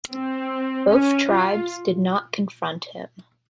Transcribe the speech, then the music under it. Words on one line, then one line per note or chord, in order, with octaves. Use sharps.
Both tribes did not confront him.
C4
C#4
F4